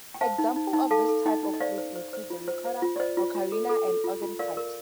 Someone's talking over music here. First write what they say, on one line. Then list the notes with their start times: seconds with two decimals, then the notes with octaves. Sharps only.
Examples of this type of flute include the recorder, ocarina, and organ pipes.
0.14 G5
0.21 C5 F5 A5
0.38 D#4
0.56 D#4
0.73 D#4
0.91 A4 F5 A5
1.08 A4
1.26 D#4 D#5 G5
1.43 D#4
1.54 D#5
1.60 C5 D5 F5
1.78 C5
1.95 C5
2.13 C5
2.30 F4
2.48 C5
2.65 C5
2.82 F4
2.96 D5
3.00 C5 D#5
3.17 F4
3.35 F4
3.52 A4
3.69 A4
3.88 A4
4.04 F4
4.22 F4
4.39 A#4 D5 F5
4.57 A#4